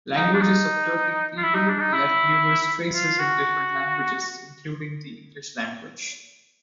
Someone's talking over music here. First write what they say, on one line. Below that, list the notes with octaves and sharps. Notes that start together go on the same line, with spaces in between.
Languages of Turkic peoples left numerous traces in different languages, including the English language.
D#4
D4
D#4
F4
E4
D#4
D4
D#4
E4
F4
F#4